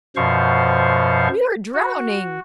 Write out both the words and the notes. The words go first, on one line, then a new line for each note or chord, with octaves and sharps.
We are drowning!'
F#2 B2 F3 C5 F5 C#6
F#4